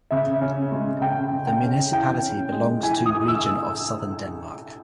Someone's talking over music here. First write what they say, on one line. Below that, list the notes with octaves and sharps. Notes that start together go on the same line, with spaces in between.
The municipality belongs to Region of Southern Denmark.
C#3 E5
C#4
G#3
C#3 G5
C#3
G5
C#4
E3 G5
C#4
G#3
E3 G#5
D#6
E3
E6